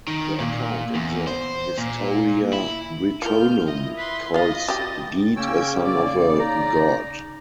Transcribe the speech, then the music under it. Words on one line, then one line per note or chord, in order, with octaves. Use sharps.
The account in the "Historia Britonum" calls Geat a son of a god.
D#3
A#2
E2
C5
A#2
E4
E3 F4 A#4 F6 G6
E4 D#5
B4 C6 B6
F4 D#5 F5 A6
F#4 G4
C#3 A#3 C#4 C#5 G5 E6
D5 D6
D#4 A#5